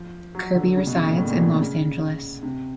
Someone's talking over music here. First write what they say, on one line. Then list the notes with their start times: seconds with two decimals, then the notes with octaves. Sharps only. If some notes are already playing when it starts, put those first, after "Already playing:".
Kirby resides in Los Angeles.
Already playing: F3
0.35 F#3
0.55 D3
0.76 C#3
0.87 B2
0.96 C#3
1.07 A#2
1.17 A2
1.29 A#2
1.39 B2
1.50 C3
1.60 C#3
2.43 C3